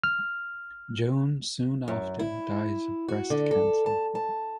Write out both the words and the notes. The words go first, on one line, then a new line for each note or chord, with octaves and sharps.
Joan soon after dies of breast cancer.
F6
F#2
E4
F#4
D3
A4
A5
A5